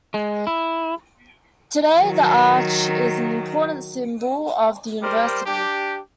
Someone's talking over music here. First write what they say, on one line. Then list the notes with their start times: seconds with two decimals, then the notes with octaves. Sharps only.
Today, The Arch is an important symbol of the University.
0.14 G#3
0.47 E4
1.98 D#3 F#3
5.02 G3 A#4 C5
5.46 D4 G4